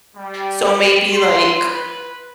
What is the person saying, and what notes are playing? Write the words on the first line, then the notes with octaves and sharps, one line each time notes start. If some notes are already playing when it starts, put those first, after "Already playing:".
So maybe like
G3
C6
B4